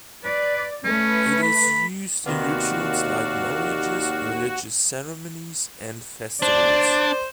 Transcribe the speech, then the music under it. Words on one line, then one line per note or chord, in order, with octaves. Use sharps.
It is used in rituals like marriages, religious ceremonies and festivals.
B4 D5
A3 C#4 B4
B5
D#2 C3 D#3 B3 F#4 D5 F5
D4 C5 D5